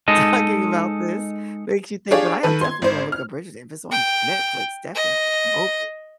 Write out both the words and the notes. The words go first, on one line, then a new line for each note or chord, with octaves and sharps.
talking about this. Makes you think, but I am definitely gonna look up Bridgerton if it's on Netflix, definitely. I'm open.
G#3 D#4 A4 D#5
D4 F4 G4 G#4 C#5 F5
D#3 A4 B4
C6 G#6
G#1 C5
F6
G5
D#5